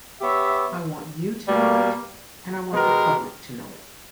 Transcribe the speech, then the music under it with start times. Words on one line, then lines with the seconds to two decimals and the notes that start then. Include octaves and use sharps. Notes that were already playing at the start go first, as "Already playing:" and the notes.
I want you to know it, and I want the public to know it.
0.21 B3 G4 C#5 E5
1.47 B2 G3 A#3
2.72 B2 G#3 B3 G4 A#4